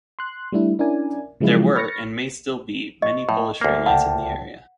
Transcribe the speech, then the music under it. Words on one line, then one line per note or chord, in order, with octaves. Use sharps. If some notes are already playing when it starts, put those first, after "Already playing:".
There were, and may still be, many Polish families in the area.
C6 F#6
G3 A3 D4 E4
C#4 D4 E4 A#4 D5 G#5
C#3 F3 F#3 G#3 E4 F4
B5 C#6 F6 A6 A#6 C#7
D#5 C#6
A2 G5
D2 A#3
C#2 F#5 G5 A5